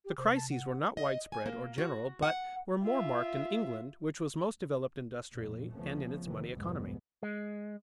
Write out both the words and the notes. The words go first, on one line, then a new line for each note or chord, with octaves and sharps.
The crises were not widespread or general, but were more marked in England, which was most developed industrially and in its money economy.
G4
C3 C5
A5
F#5
D#5
G#5
A#3
F#4
F#5
F4 E5
A#1 F2 A#2
C#2 F3 A3 B3 C#4
C3 D#3 E3
F1 C2 G#2 G#3 B3
G#3